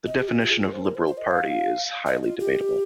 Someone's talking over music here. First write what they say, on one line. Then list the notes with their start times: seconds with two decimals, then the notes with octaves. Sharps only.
The definition of liberal party is highly debatable.
0.06 D#5
0.18 G4
0.28 F4
0.40 F4
0.50 G#4
0.62 A#4
0.73 C5
0.85 A#4
0.95 C5
1.07 C5
1.18 D#5
1.28 F5
2.06 D#5
2.23 F4
2.40 G4